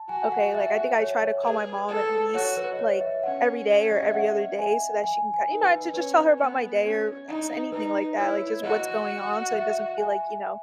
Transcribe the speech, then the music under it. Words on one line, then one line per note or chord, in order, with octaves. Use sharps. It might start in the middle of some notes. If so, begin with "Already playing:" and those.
okay, like, I think I try to call my mom at least, like, every day or every other day so that she can kin you know, to just tell her about my day or s anything like that, like, just what's going on, so it doesn't feel like, you know,
Already playing: A5
F#4 G#5
F#5
E5
C#5
C#5
G#4 B4
A4
F#4 C#5
B4
D#5
C#5
E5
C#4 F#5
D#5
E5
F#5
G#5
G#5
G#5
D#4
B4
C#4 B4
B3
C#4
D#4
D#4 B4
E4 C#5
F#4 D#5
E5
G#5